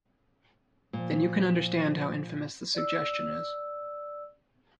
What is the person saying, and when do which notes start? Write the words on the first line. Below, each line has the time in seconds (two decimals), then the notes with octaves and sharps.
Then you can understand how infamous the suggestion is.
0.93 A#2 F3
2.75 D5 E6